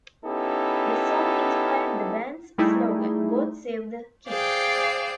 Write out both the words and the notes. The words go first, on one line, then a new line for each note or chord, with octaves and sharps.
The song inspired the band's slogan, "God Save the Kinks".
B3 C#4 D#4 E4 G4 A4
G3 A3 D#4 E4 G#4
G#4 C5 D5 F5 G5